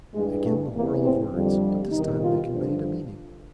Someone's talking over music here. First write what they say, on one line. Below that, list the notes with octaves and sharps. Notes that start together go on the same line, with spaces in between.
Again the whirl of words, but this time they conveyed a meaning.
G2 E3 G3 G#3
A3
E2 C3 E3 A#3
C4
F2 D3 G3
E2 C3 D#3 G3 D#4
F4
G2 D3 F3